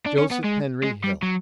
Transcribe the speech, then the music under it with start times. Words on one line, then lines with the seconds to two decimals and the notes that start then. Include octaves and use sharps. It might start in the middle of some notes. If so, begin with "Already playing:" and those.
Joseph Henry Hill.
0.06 D4
0.18 C#4
0.31 B3
0.44 G#3
0.83 G#3
1.04 G3
1.23 F#3